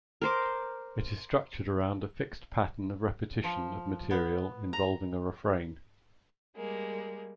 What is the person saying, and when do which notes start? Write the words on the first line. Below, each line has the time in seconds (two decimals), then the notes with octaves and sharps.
It is structured around a fixed pattern of repetition of material involving a refrain.
0.22 A#4 C5 D6
3.44 F3
4.11 B3
4.73 A#5
6.57 G3 G#3 A#3